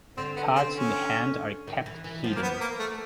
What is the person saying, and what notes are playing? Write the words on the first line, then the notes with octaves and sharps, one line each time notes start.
Cards in the hand are kept hidden.
D3 C4
B3
C4
C#4
D#3
E3
E3
F3
A#3
B3
A#3
A3